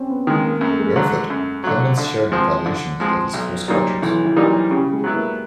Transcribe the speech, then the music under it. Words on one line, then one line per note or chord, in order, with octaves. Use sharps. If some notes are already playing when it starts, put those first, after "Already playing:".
Barefoot, Clemens shared the privations of his coastwatchers.
Already playing: C4 C#4
B3
D#3 G#3 A#3
A#3
F#2 A#3
A3
G#3
A3
D3 F#3
F#2
D3 F#3
D3
F3 G#3 C4
D3
F3 G#3 C4
B1 F#3
A#2 F#3 G3 A#3 D#4
B1 E3
E3
A#2 G3 A#3 D#4
F#3
C#3 G3
G#3
F#3 B3 E4
A#3